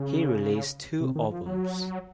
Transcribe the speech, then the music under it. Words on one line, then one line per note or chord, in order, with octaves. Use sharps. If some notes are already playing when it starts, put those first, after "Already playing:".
He released two albums.
Already playing: C#3
C3
D#3
F3
F#3